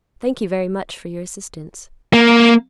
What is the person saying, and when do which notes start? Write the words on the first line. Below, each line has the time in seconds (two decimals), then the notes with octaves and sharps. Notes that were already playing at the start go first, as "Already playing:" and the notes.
Thank you, very much, for your assistance.
2.13 A#3